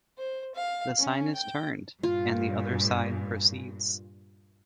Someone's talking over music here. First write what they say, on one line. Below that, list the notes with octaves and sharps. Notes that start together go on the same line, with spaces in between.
The sign is turned, and the other side proceeds.
C5
F5
C#4
G5
G2 A#2 F4